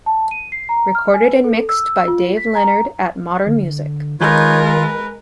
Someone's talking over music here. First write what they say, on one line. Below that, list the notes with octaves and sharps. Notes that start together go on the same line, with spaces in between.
Recorded and Mixed by Dave Leonard at Modern Music.
A5
D#7
C7
A#5
F6
G#5
B4
A4
E6
F4
B6
A#5
D3
D#3 G#3 D#4 F4 A#4 B4 C#5
B4